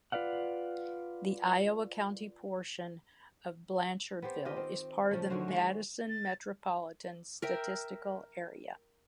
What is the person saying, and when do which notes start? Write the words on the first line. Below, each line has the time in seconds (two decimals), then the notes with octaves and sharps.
The Iowa County portion of Blanchardville is part of the Madison Metropolitan Statistical Area.
0.12 F4 B4 D5 F5 F#5
4.22 B3 C4 G4 C5
4.45 D#3 F4 G4 D#5
4.56 C4
5.11 C#3 F3 A3
5.30 D3 D#3 F#4 C5
5.48 G#3
6.09 A6
7.42 A#4 E5 G5